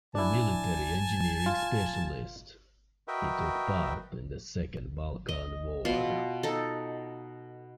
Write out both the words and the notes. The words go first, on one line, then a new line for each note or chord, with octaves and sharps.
A military engineering specialist, he took part in the Second Balkan War.
D4 E4 G#5 A5
F4
F#4 A#4 B4 D#5 E5 G5
D#5
B2 F4
D#4 A4